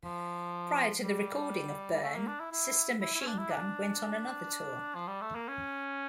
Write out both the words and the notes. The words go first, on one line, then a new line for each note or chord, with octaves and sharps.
Prior to the recording of "Burn", Sister Machine Gun went on another tour.
F3
G3
G3
A3
A#3
D4
E4
E4
E4
E4
C#4
D4
E4
D4
F3
G3
A3
A#3
C#4